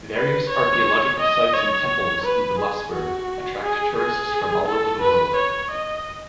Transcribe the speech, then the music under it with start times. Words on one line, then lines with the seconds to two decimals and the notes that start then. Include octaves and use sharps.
Various archeological sites and temples in Bilaspur attract tourists from all over the world.
0.16 B4
0.50 C#5
1.20 D#5
1.54 C#5
2.24 B4
2.59 G#4
2.93 F#4
3.62 G#4
3.97 G#4
4.66 A4
5.01 B4
5.36 C#5
5.71 D#5